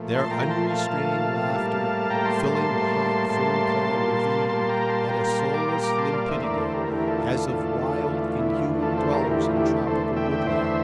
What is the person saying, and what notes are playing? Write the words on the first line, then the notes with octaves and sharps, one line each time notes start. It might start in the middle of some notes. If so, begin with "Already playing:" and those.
Their unrestrained laughter filling the hot, fern-clad ravine had a soulless limpidity, as of wild, inhuman dwellers in tropical woodlands.
Already playing: A#2 F3 A3
A5 C6
A#2 F3 A3 G5 A#5
A5 C6
F5 A5
A#2 F3 A3
A2 G3 A#3
A2 G3 A#3 G5 A#5
A5 C6
A5 C6
A2 G3 A#3
A2 G3 A#3 A5 C6
A#2 G3 A#3
A#2 G3 A#3 A5 C6
G5 A#5
A5 C6
A#2 G3 A#3 G5 A#5
G5 A#5
A5 C6
A#5 D6
A#2 G3 A#3 G5 A#5
A#5 D6
A5 C6
D5 F5
E2 D3 A3 C5 E5
A#4 D5
A4 C5
G4 A#4
E2 D3 A3 E4 G4
A#4
F4 A4
F4 A4
E2 D3 A3
E2 D3 A3 F4
F4
E4
F4
E2 D3 A3
F4 A4
A4 C5
G4 A#4
E2 D3 A3 E4 G4
F4
E4 G4
E2 D3 A3 A4 C5
E5 G5
E5 G5
E2 D3 A3 C5 E5